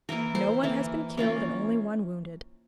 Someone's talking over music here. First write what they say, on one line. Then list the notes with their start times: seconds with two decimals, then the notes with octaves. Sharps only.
No one has been killed and only one wounded.
0.09 E3 A#3 E4 A#4
0.35 C5
0.63 E3 A#3 E4
1.17 E3 A#3 C#4 F4